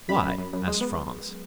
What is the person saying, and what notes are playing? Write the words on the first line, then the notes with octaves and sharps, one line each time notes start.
"Why?" asked Franz.
F#2 B5
F#2
F#2
F#2
G#3
B3